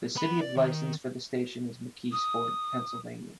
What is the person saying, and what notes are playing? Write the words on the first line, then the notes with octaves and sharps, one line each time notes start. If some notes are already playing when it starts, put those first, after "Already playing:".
The city of license for the station is McKeesport, Pennsylvania.
B3 B5
D5
D#3
D#6